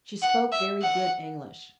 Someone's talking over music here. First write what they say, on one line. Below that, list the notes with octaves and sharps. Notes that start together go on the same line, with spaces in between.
She spoke very good English.
F#5
E5
F#5